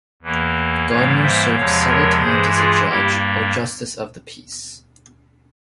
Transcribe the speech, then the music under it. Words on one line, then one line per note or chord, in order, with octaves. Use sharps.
Gardner served several times as a judge, or justice of the peace.
E2 E3 A#3
G#2 E3 G3 A#3 C#5 F5
C5 E5
E2 C3 F3 G#3 C#5 F5
A#4 C#5
G2 E3 G#3 G#4 C5
F4 G#4
G2 G3 A#3 E4 G4